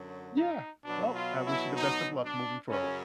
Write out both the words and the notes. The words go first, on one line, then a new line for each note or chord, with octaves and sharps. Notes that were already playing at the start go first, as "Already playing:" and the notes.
Yeah. Well, I wish you the best of luck moving forward.
Already playing: F#2 D3 F#3
D#4
B2 F#3 D4
F4
E4
D#4
D4
F#2 C#3 F#3 C#4